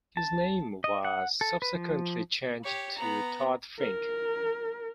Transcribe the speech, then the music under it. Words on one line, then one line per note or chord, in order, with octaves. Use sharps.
His name was subsequently changed to Todd Fink.
A5
D#5
F#5
A4
B4
F3
G4 C#5
B3 A#5
A#4